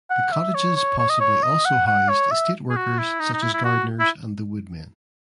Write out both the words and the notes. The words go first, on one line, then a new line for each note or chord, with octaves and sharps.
The cottages possibly also housed estate workers such as gardeners and the wood men.
F#5
E5
C#5
C#5
C#5
D#5
C#5
D#5
F#5
F#5
C#5
E5
G#4
F#4
E4
D#4
D#4
E4
E4
F#4
E4